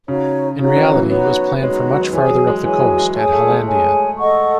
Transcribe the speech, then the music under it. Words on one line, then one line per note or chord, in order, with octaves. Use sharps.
In reality it was planned for much farther up the coast, at Hollandia.
C#3 D#4 F#4 C#5
C#3 D#4 F#4 C#5
E3
F#3
B3 D#4 F#4 C#5
G#3 D#4 F#4 C#5
D#3
F#3
E3 G#4 C#5 G#5
F#3
G#3
E3 G#4 C#5 G#5
F#3
G#3
A3 G#4 C#5 G#5
A3
G#3
G#4 C#5 G#5
A4 D#5 F#5 C#6